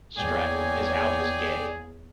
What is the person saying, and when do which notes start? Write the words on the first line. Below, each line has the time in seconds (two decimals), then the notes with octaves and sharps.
Stratton is out as gay.
0.18 E2 A#3 G#4 C#5 D5 G5 G#5